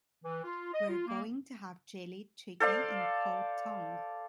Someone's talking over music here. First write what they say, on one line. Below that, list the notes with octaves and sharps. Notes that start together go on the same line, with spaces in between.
We’re going to have jellied chicken and cold tongue.
E3
F4
D#5
F4
A#3
A4 C5 D5 F5